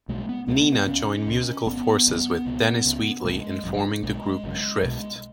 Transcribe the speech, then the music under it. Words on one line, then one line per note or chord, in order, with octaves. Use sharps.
Nina joined musical forces with Dennis Wheatley in forming the group Shrift.
B1 B2 G#3
G#3
B3
C#2 C#3 G#3
B3
B3
C#2 C#3 C#4
C#2 C#3
G#1 G#2 B3
G#1 F#2 C#3
C#2 B2
C#2 C#3
C#2 B2 G#3
G#1 F#2 C#3
B1 B2 G#3
G#1 F#2 C#3
B1 B2